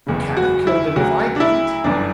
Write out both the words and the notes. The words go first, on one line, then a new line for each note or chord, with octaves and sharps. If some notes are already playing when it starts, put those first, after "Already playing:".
Who can have killed him if I didn't?
F#1 E2 C#3
F#4
E4
D2 C#3 F#3 F#4
D4
E4
G1 F#2 E3 D4